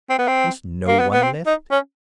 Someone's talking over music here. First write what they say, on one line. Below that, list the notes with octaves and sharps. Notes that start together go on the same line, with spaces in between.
Was no one left?
C4
B3
C4
A#3
B3
B3
C4
D#4
C#4